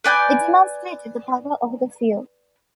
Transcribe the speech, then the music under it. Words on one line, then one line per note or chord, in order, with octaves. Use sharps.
It demonstrated the power of the few.
B4 D5 G#5 G6